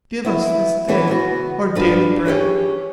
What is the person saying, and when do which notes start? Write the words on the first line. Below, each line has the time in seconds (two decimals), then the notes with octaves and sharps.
"Give us this day our daily bread."
0.25 B3 E4
0.88 E3 B3 C#4 E4 B4
1.08 C#3 B3 F#4
1.75 G2 D4 F4 B4
2.25 C#4 G4 G#4 C#5